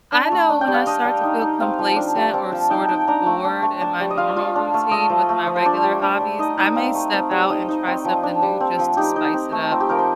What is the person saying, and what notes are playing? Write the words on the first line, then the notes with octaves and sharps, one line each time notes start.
I know when I start to feel complacent or sort of bored in my normal routine with my regular hobbies, I may step out and try something new just to spice it up.
D4
A3
D4
G5
G3
F5
D4 D#5
G3
D#4
D#4
C4 F5
F3
D4
G3
C4 A5
F3 A5
D#4 G5
D#4 G5
D4 A#5
A3
D4
A3
D4 A5
G3
D#5
F4 F5
F4
D4
A3
A3 D#5
F3
A3
F3
C5
D4 D5
G3
D4
G3
D#4 D#5
D#4
C4 F5
A3
C4
G3
D#4 D#5
D#4
C4
F3
D4
G3
C4
F3
D#4 G4
D#4
C4
A3
C4 F4
G4
F3 A#4
C5